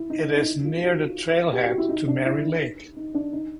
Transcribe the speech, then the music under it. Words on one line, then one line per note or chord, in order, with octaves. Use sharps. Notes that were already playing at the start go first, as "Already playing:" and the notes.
It is near the trailhead to Mary Lake.
Already playing: E4
D#4
D#4
E4
F4
F4
F#4
G4
F#4
E4
D#4
D4
E4
D#4
D4
D#4